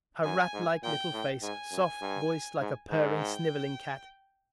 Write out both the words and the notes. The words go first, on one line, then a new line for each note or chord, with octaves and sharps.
Her ratlike little face, soft voice like a purring, sniveling cat!
F#2 G#5
G#2
A#2 G5
A2
G#2 G#5
F#2
G2
G#2
G#2
G5